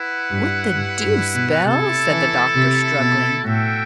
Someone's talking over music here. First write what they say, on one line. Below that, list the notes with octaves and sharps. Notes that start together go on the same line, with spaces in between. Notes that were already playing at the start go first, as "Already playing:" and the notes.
"What the deuce, Bell?" said the doctor, struggling.
Already playing: E4 B4 F#5
G2
G2
G2
B2
C3 A3 E4 A4
E3
C3
B2
A2 F#4 A4 E5 G5